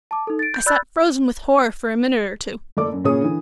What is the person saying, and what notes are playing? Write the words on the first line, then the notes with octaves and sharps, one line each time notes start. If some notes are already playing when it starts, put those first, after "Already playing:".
I sat frozen with horror for a minute or two.
A5 D6
D#4 A4
A6 D7
G6
D5 B5 E6 F#6 G6 A6
F#1 A3 A4 D5 D6
F#2
A#2 C#3 G#4 C#5 D#6
D3 E3